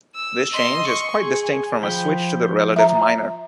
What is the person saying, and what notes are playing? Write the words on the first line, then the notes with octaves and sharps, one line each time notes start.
This change is quite distinct from a switch to the relative minor.
E6
D#5 C6
C#6
G#4
F3 G5 B5
E5 A#5